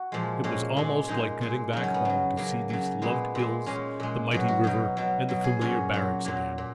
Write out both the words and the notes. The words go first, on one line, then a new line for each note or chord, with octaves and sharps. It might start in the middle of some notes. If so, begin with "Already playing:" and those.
It was almost like getting back home, to see these loved hills, the mighty river, and the familiar barracks again.
Already playing: F#4
A#2 F3 G#3
A#2 G#3 C#4
A#2 G#3
A#2 G#3 D#4
A#2 G#3
C#3 F#3 D#4
C#4
B3
C#3 F#3
C#3 F#3 A#3
C#3 F#3
A#2 G#3 B3
A#2 G#3
A#2 G#3 C#4
A#2 G#3
B2 F#3 F#4
F#4
B2 F#3 D#4
B2 F#3
B2 F#3
G#4
A#2 F#3 C#4
A#2 F#3
A#2 F#3 A#3
A#2